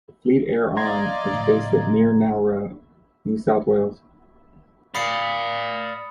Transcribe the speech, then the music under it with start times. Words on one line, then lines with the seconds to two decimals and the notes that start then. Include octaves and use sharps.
The Fleet Air Arm is based at near Nowra, New South Wales.
0.77 D5 D#5 F5 A#5 C6 G#6
1.33 A2 C#3 F3
4.95 D5 F5 B5 D#6 C#7